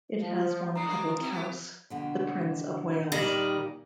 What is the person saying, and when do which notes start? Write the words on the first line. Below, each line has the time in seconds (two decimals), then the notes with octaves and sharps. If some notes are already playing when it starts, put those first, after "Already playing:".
It has one public house, the Prince of Wales.
0.19 F3
0.76 G#2 C#4 D4 A#5 D#6
0.87 G#3 A#3 D4
1.18 F#3 C4 E4
1.31 A#3 B3 G4
1.90 F2 B2 D3
3.12 A#2 D#3 G3 F4